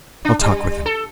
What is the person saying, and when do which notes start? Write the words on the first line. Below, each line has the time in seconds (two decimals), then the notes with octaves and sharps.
I'll talk with him.
0.25 D4
0.41 G3
0.86 A4